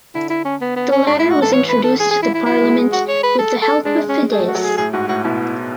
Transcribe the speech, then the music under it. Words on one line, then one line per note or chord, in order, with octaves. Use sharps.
The latter was introduced to the Parliament with the help of Fidesz.
D3 E4
E4
C#4
B3
B3
C#4
G#2 D4
A2 E4
F#4
E3 A4
E3 C#5
B4
A4
G#4
G#4
E4
E4
F#3 E4
G#3
G#3
F#4
C#5
B4
A4
A4
G#3 D4
C#4
A3 G#4
F#4
F#3 A4
G#4
A2 G#4
G#2 F#4
A2 F#4
B2 E4